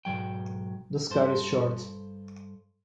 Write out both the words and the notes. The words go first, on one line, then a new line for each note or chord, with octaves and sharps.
The scar is short.
B1 G#2 D#3 F#3 G5
G2 A4 C5